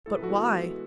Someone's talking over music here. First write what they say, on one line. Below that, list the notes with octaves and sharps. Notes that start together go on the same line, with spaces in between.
But why?
A2 A4
B4
F#4 A4
E3 G#3 B3